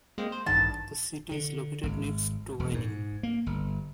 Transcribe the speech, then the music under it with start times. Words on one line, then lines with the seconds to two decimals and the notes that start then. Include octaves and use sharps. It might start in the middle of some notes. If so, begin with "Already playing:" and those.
The city is located next to Vining.
0.18 G#3 A#3 C4
0.32 C5
0.46 A1 G2 D#3 A5
1.31 D3
1.83 G#1
2.59 E1
2.74 G#2
3.23 A#3
3.46 G1